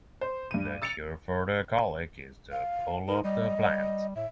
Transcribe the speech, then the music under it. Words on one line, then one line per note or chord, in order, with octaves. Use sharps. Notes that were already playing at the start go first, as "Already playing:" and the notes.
The cure for the colic is to pull up the plant.
C5
G2 D#7
E6 A6 C#7 D7 F7
F5
D#4 A#4
G3 D#5
G3
A2 E5